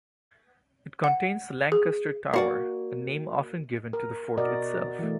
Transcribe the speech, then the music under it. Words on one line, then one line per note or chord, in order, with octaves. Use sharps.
It contains the Lancaster Tower, a name often given to the fort itself.
F#5
G#4
A#3 F#4 D5
A#4
B2 F#4 A#4 D5 D#5
E3 A3